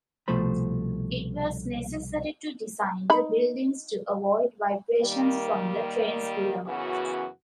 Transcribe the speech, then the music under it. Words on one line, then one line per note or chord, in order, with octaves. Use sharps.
It was necessary to design the buildings to avoid vibrations from the trains below.
C2 B2 F3 A3 C5 B5
D#4 B5
D#3 G3 A#3
F#2 C#3 E3 B3 F#4